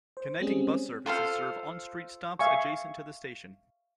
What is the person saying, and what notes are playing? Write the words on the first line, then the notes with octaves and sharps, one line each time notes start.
Connecting bus services serve on-street stops adjacent to the station.
C5
G3 G#3 C4 C#4 G#4
F4 A4 C5 F5
E5 F5 G#5 C#6